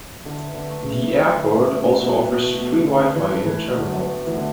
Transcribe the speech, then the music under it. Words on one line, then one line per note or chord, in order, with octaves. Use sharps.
The Airport also offers free Wi-Fi in the terminal.
D3 E4
B4
D3
A3
C#3
A3
E4
D3 B4
C#3 A3
C#3 A3
B2 E4
B4
B2
A3
B2
A3
C#3
D3 E4
B4
E3
A3
E3
A3
D3 F#3
B3
A2
E3
D3